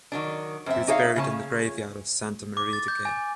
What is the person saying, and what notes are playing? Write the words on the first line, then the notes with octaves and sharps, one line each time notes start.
He was buried in the graveyard of Santa Maria de Guess.
D#3 F#3 D4
F#2 C4 E5
D#4 G4 G#4 C#5 E5 F5
C#3 C#4 A5
D6
A6
G6
G#5